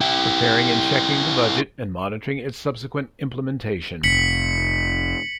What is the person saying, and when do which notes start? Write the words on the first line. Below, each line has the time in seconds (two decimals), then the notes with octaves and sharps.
Preparing and checking the budget and monitoring its subsequent implementation.
0.01 E4 G4
4.03 F1 B6 C#7 F#7